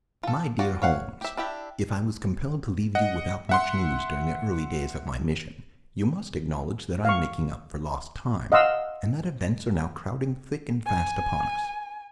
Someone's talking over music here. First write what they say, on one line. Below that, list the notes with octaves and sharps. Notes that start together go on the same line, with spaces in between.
MY DEAR HOLMES: If I was compelled to leave you without much news during the early days of my mission you must acknowledge that I am making up for lost time, and that events are now crowding thick and fast upon us.
F4 A4
F4 F#4 D5
C#5 F5 F#5
G4 E5
D4 E4 G4 E5
D#5 F#5
E5 F#5 C6
F5 C#6
D#5 F5 F#5 C6 E6
G#5